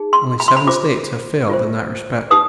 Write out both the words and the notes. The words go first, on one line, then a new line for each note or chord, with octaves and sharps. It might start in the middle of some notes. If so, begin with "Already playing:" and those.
Only seven states have failed in that respect.
Already playing: D#4 G#4
C6
B5
C6
B5
F4 C5 D6
F4 C5
D#4 G4 B4 D#6